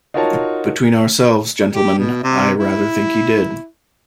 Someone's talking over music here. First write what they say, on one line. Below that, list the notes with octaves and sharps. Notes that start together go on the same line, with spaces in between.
Between ourselves, gentlemen, I rather think he did.
D#4 F4 F#4 A#4 C#5 A5
G4
B2
C3
E4